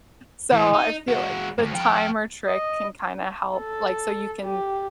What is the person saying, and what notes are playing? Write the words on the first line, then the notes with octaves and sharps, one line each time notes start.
So I feel like the timer trick can kinda help, like, so you can
A2 E3
D#4
G#3 F#4
D2 G2
F3 G5
D#5
A4
G4